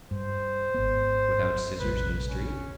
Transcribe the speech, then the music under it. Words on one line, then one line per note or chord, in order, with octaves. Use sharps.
"Without scissors, in the street?"
G2 C5
G#1 B3
F1 A#1 G3 B4
C#4